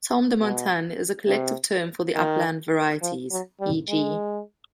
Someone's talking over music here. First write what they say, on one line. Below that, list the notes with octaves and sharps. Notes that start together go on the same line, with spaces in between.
Tomme de Montagne is a collective term for the upland varieties, e.g.
B2
C3
D#3
F3
F#3
G3
G#3